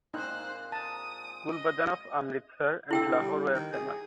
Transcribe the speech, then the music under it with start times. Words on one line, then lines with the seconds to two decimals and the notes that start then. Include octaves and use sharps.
Gulbadan of Amritsar and Lahore were famous.
0.14 A#2 G#3 C4 D#4 C5 F#6
0.72 A5 A#5 D#6
1.51 D#5
2.91 D3 E4 G5 E6
3.21 G3
3.54 D#3
3.73 G#4